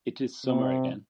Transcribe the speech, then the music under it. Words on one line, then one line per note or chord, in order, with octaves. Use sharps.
It is summer again.
C3